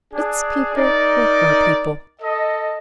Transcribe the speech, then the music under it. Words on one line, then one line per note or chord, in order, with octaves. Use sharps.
Its people were her people.
D4 G#4
D#4 A#4 D5
A4 D#5